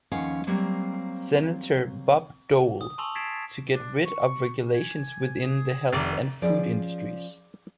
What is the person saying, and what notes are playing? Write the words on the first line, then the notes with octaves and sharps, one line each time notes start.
Senator Bob Dole to get rid of regulations within the health and food industries.
D#2 F3 C#4 F5 F#5
F#3 G3 A#3 C4
D#6
G#5 A5 C6 C#6 E6 F7
G#6 A6 B6 C7 D7 E7
D4
C#6
G#5
G#4
F1 D#3 D5
F3 C#4 G#4 D5